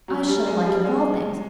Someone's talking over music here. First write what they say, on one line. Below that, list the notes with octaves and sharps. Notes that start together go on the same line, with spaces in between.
I shall like it of all things.
F#3
G3
G#3
G3
G#3